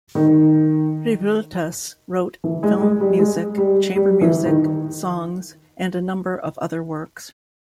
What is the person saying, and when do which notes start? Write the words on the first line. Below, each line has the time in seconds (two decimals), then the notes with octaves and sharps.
Revueltas wrote film music, chamber music, songs, and a number of other works.
0.15 D#3
2.44 E3
2.63 G#3
2.81 G#3
3.00 G3
3.19 G#3
3.57 G3
3.96 G3
4.21 E3
4.46 D#3